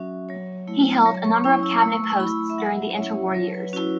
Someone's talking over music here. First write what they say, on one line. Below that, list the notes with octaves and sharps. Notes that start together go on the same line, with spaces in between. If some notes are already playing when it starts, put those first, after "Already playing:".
He held a number of cabinet posts during the inter-war years.
Already playing: F#3 C#4 F#4 E5
F#3 C#5
A3 E4
F#3 C#5
C#6
C#4 E4 C#6
E6
A3 E6
C#6
E6
E4 B5
E5
F#3 F#5
C#5
C#4 E4 E5
F#3 C#5
B4
C#4 E4 F#4